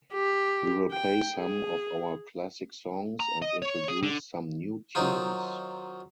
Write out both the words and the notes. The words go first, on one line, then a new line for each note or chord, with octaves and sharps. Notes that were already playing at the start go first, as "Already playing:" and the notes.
We will play some of our classic songs and introduce some new tunes!
G4
G5
G#4
A#5
D#5
C#5
G#4
D3
D#3 F#3 C4 D#4 F4